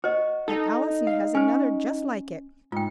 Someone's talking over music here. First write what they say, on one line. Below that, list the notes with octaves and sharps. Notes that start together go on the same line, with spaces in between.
And Allison has another just like it.
F#4 C5 D#5
D#4 A4
F5
C#4 C5 G#5
G#2 F4 G5